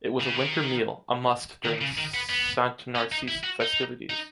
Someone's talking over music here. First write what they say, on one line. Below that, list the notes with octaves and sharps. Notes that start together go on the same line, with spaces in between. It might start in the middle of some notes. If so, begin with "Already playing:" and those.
It was a winter meal, a must during Sant Narcís’ festivities.
C#3
D#3
D#3
C#3
D#3
B3
B3
C#4
D#4
E4
F#4
D#4
D#4